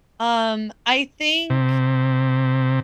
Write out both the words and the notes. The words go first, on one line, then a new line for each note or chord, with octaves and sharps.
Um, I think
C3